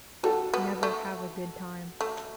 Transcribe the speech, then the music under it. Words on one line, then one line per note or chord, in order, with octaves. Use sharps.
Never have a good time.
G3 F#4 A4
B3
A3
A3